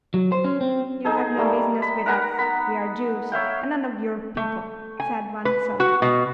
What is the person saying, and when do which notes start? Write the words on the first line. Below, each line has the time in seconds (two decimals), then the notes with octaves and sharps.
'You have no business with us: we are Jews, and none of your people,' said one sulkily.
0.14 F#3
0.32 C5
0.44 C#4
0.61 C4
1.05 D#4 G#4 A4
1.37 G3 A3 A#3
1.82 B5
2.06 A#4 B4 F#5 A#5
2.38 B3 B5
3.32 C#5 E5 F5 G5
4.37 A3
5.00 G#5
5.45 B4
5.80 F#4
6.02 B2